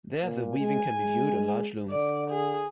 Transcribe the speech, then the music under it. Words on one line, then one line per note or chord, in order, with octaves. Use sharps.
There the weaving can be viewed on large looms.
A#2
G#3 G#5
G#3
D3 D5
G#4